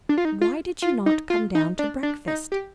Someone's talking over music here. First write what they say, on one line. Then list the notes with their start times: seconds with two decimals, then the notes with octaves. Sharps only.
Why did you not come down to breakfast?
0.09 D4
0.18 F4
0.25 D#4
0.41 F4
0.82 F4
1.06 D#4
1.30 F4
1.55 D#4
1.79 D4
2.03 D4
2.28 D#4
2.52 G4